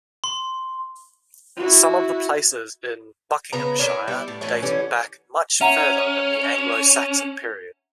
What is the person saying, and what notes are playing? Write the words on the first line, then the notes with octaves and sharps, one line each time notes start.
Some of the places in Buckinghamshire date back much further than the Anglo-Saxon period.
C6
E4 F#4
C#3 B3 B4 A#5
D4 E4 A#4 C#5
G3 B3 E4
A2
A2 E3 A3 C#4
D3 E3 G3 C#4
C#4 E5 F#5 A#5